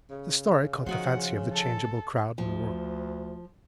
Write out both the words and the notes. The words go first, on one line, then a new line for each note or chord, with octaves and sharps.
The story caught the fancy of the changeable crowd in the room.
C#3
D#3 F3 F#4 C5 F#5
A4
D2 F3